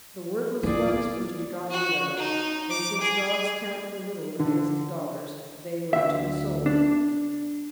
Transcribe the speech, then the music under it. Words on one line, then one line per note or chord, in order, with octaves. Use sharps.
The worthless ones were to be got rid of, and, since dogs count for little against dollars, they were to be sold.
A#2 E4 G#4 D5
F#4
D#4
D6
G#4
D3
D2 E5
D4